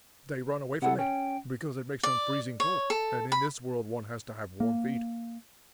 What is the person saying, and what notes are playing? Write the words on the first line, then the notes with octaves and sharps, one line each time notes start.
They run away from it, because it makes them freezing cold, and in this world one has to have warm feet.
C3 E4 A4 F#5
C#4 G5
D5
C#5
A4
B5
A#3